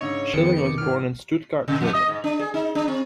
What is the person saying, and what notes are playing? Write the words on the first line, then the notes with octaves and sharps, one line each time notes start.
Schilling was born in Stuttgart, Germany.
G#2 C#3 D4 C#5 D#5 E6
F2 D#3 B3 G#4 G5 C#7
D6
G#1 E3 F6 D7
C3
F2
D#5
G#2
D4
G#4
D#4
D4
C4